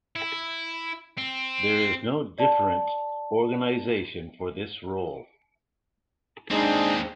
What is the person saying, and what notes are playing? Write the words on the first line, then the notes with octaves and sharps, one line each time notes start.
There is no different organization for this role.
E4
C4
D5 A5
D#2 G#3 C4 D4 D#4